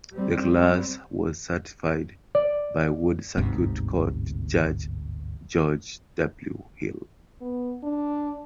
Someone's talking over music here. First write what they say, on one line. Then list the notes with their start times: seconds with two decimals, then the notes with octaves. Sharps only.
The class was certified by Wood Circuit Court Judge George W. Hill.
0.13 G3 C4
2.35 D5
3.37 G1 D2 G#2 C3
7.41 B3
7.83 D4